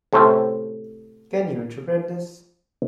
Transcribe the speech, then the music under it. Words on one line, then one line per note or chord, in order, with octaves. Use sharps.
Can you interpret this?
A2 C3 C#4 A4 C5 E5